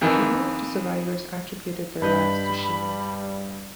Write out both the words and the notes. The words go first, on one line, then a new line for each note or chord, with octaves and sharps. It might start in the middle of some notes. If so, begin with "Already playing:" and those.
Many of the survivors attributed their lives to Sheean.
F2 D#3 E3
G2 G3 B4 D#5 B5 G6